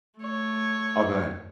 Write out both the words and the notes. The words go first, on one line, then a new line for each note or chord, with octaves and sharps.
Oh, go ahead.
A3 C#5